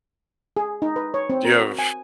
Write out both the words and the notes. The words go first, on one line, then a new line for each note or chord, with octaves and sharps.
do you have
G#4
D#4
B4
C#5
C4
A#4
F#4
G#5